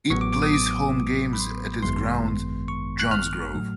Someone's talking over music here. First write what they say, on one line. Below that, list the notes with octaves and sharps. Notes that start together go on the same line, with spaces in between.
It plays home games at its grounds "Johnsgrove".
A1 A2 F#3 B3 C#6
D6
D6
D#6
D6
B5
C6
G#1 F#2 D#3 G#3 B3 C6
C#6
F#6
F6
A2 F#3 A3